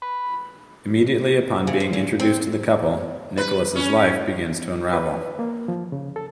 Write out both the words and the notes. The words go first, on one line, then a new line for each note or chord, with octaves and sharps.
Immediately upon being introduced to the couple, Nicholas' life begins to unravel.
B4
C#3
F3
C#3
C4
B4
C#4
B4
A#3
F3
C#3
A4